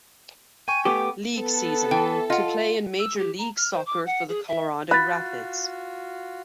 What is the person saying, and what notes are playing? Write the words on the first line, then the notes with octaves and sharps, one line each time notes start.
League season to play in Major League Soccer for the Colorado Rapids.
G5 G#5 C#6 D#7
A3 B3 G4 D6
B3 A4
E3 G5
F4 D#5 F#5
E6
G4
A#5
F6
C5
D6
F#5
G#4
E5
F4 F#4 B5 F#6 A6